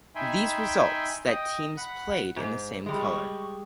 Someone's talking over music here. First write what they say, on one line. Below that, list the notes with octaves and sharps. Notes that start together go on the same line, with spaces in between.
These results that teams played in the same color.
D#4 E5 G5 G#5 B5 C6
D#5 G5 D#6
F#5 B5 F#6
G#2
G3 G#3
C#6